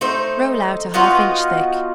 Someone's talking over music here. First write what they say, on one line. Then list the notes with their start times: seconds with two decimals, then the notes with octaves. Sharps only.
Roll out a half inch thick.
0.01 A3 D#4 C5
0.94 B3 D#4 F4 F#4